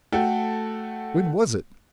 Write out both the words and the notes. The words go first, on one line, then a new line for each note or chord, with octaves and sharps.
When was it!
A3 F#4 A4 G5